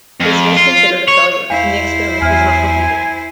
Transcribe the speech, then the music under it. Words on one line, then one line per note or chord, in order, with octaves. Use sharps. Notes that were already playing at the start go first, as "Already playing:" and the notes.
This was considered a failure and the experiment was not repeated.
F2
F4
C#5
E2 E4 C5 F5
E2 E5 G#5 F6